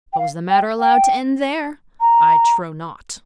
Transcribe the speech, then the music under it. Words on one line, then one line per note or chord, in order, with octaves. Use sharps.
But was the matter allowed to end there? I trow not.
G5
F5
G5
G5
A#5